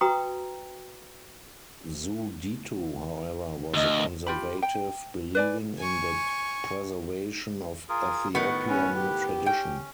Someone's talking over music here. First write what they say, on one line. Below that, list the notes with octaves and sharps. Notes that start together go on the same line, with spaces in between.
Zewditu, however, was a conservative, believing in the preservation of Ethiopian tradition.
F#4 B4 G5 A#5 C6 D#6
D2 D#5
F4 G4 B5
G5
B4 D5 G#5
G#5 C#6
F4 G#4 A#4
A2 D#3 B3 F#4 F#5
C#4 B4
G4
C#4 G5